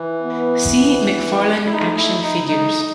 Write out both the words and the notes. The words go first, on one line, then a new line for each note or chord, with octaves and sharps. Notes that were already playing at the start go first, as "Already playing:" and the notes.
See McFarlane Action Figures.
Already playing: E3
B3
E4
A3 D#4
E4
D#4
G#3 D#4